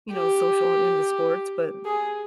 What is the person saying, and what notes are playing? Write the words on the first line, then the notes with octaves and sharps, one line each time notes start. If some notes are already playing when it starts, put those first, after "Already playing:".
you know, social and into sports, but
G4
G#4